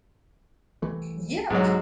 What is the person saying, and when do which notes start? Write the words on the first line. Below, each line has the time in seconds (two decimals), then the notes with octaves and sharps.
Yeah, but
0.82 C2 E3 A3
1.50 B1 G#2 F#3